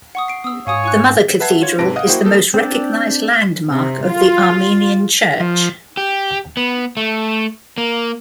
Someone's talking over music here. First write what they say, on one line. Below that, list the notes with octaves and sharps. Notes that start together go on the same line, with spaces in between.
The Mother Cathedral is the most recognised landmark of the Armenian Church.
F#5 C#6 D#6
C7 D7
B3 D#6 E6
G#2 C#5 F5 G#5 D#6
G#5 C#6 F#6
B4 E5 F#5 A5 G#6 C7
F4 C#5 G#6
G#2 C3 B4 A5 A#6 D7
D#5 F5 F#5 D#6
A#3 E4 F#4 C5 G5
G#3 A#3 A4
C4 D4 D5
C3
F4
F3
G4
B3
A3
A#3